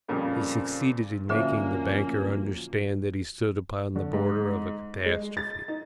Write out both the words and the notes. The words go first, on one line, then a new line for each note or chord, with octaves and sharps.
He succeeded in making the banker understand that he stood upon the border of a catastrophe.
F2 A#2 C#3 F3 G3
A#2 D3 F3 F#3 A#3 C#4 E5
D3
G#2
G#3
A6
D#4